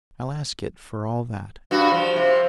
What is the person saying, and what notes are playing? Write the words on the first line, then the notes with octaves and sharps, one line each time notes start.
'I'll ask it for all that.
G2 F#4
F3
C3